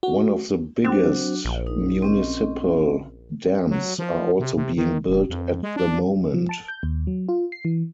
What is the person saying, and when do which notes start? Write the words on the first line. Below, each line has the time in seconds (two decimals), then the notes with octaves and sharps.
One of the biggest municipal dams are also being built at the moment.
0.03 F#4
0.84 F#3 C4 D4 F#4
1.45 A#1
1.67 D#4
2.02 C4 C#4 D#5
3.70 F#3
3.99 F3
4.40 C3
4.56 C3
4.77 D#3
5.08 F1
5.30 F2
5.63 G#3
5.76 D4
6.34 F3
6.49 A5
6.68 G6
6.83 D#2
7.07 F#3
7.29 F4
7.52 C7
7.65 E3